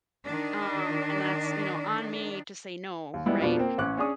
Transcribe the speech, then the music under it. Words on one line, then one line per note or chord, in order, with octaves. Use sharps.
um, and that's, you know, on me to say no, right?
D#3 D4
D#2
G3 G#3 B3 E4 F4
F2 B2 B3 D4 F4
A#3 C4
A1 C#4 D6 F#6
C#4 D4 G#4 C#6 D#6